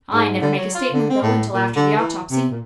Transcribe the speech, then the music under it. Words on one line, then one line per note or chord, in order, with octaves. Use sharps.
I never make a statement, though, until after the autopsy.
G#2
D3
F#3
F4
D3
C4
A2
A#2
D3
E3
C3
A#2